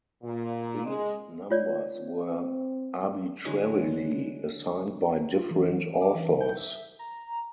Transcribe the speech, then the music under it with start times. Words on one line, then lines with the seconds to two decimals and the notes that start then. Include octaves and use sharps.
These numbers were arbitrarily assigned by different authors.
0.23 A#2
0.85 G#3
1.51 F4 C#5 D5
1.98 C4
3.45 D3 E3 F#3 G#3
5.33 F4
5.51 E3
6.01 D6
6.15 E3
6.41 G6
6.57 E5
6.99 A#5